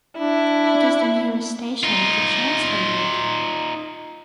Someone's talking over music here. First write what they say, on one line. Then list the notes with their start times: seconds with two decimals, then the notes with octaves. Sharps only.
It is the nearest station to Chelmsley Wood.
0.18 D4 E4
1.83 D#4 F4